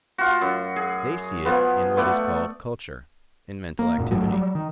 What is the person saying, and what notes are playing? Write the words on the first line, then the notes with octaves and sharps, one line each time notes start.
They see it in what is called culture--in mental activity.
F4 F#4
F#2
G#4
B2 F3 B3
A3 B3 D5
A#3
E1 B1 F#2 A#2
A1 G#2 F#3 A3
F#3 G3
D#3